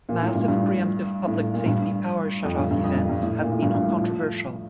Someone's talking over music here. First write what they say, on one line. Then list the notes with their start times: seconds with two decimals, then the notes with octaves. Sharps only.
Massive preemptive public safety power shutoff events have been controversial.
0.09 A#2
0.23 A2
0.35 G2
0.48 G2
1.27 A2
1.40 A2
1.53 A#2
1.66 G2
2.44 F2
2.57 G2
2.71 G2
2.83 F2
2.96 G2
3.09 G2
3.23 A2
3.42 A#2
3.52 A2
3.62 G2
3.75 G2
3.88 A2
4.01 F3